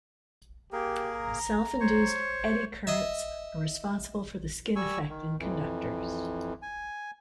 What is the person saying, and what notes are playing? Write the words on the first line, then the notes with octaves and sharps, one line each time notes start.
Self-induced eddy currents are responsible for the skin effect in conductors.
A#3 G4 G#4 A#4
A#5
C5 C#5 C#6
D#5 E5
G3 G#5 C#6 E6
D#3
F2 E3
G#5